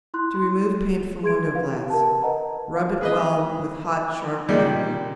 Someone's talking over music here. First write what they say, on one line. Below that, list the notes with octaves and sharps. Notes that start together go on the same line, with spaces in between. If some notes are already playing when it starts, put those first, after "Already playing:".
To Remove Paint from Window-Glass.--Rub it well with hot, sharp vinegar.
E4 C6 F#6
C6
G#4 C6 G#6 D7
G4 B4 F5
A#4 A5
A#4 B4 D#5 F#5 A#5
G#4 B4 D#5
A#2 D#3 G3 G#3